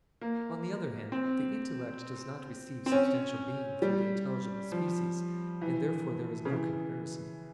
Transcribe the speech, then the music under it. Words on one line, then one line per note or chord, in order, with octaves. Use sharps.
On the other hand, the intellect does not receive substantial being through the intelligible species; and therefore there is no comparison.
A#3
C4
C4
C#4
G3
F3
E3
C#3
E3